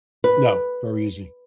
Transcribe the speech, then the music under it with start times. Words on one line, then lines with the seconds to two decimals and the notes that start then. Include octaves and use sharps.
No, very easy,
0.24 B4